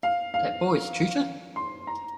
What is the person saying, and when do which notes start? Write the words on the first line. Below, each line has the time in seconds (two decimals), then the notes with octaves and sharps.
That boy's tutor?
0.03 F5
0.34 F5
1.56 C6
1.87 A#5